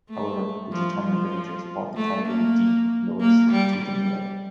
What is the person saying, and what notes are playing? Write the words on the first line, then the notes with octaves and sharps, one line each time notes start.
However the determined villagers fought the Category "D" notice tooth and nail.
A3
F3
F3
A3
A#3
A#3
G3
G3